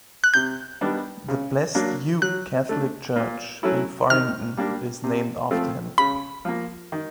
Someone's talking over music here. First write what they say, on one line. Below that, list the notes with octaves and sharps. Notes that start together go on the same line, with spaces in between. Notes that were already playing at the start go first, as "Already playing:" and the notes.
The Blessed Hugh Catholic Church in Faringdon is named after him.
F#6
C3 G6
D#3 G3 B3 D4
C#3
F#3 A#3 D4
F#3 F#6
A3 D4
A#2
F#3 A3 C#4 E4
D#3 F6
G3 A#3 D4
C3
F3 A3 C4
C#3 B5
F3 A#3
D#3